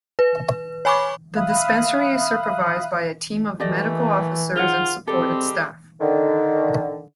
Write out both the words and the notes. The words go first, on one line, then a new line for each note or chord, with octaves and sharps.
The dispensary is supervised by a team of Medical Officers and supported staff.
B4
C#5 G#5 B5 C#6 D6
E5 F5 B5 D#6 F#6
E3 A3 A#3 G4 D5 D#5
D#3 F4 G#4 C5 F#5
G3 G#3 C4 G4 A4
D3 D#3